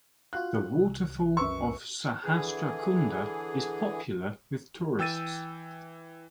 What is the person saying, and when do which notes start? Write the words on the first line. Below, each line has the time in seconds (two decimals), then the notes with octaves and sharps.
The waterfall of Sahastra Kunda is popular with tourists.
0.33 F4 F#4 F5 F#6
0.73 C2
1.37 F#2 B4 C#6 E6
2.24 D3 E3 G#4
4.99 E3 G5 E6 A6 D#7